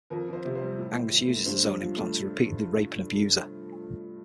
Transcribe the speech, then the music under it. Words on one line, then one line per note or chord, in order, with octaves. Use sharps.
Angus uses the zone implant to repeatedly rape and abuse her.
F2 A#4
F2 C5
C3
C5
G3
A2
A2
E3
A3
G2 C5
G2
F3
A3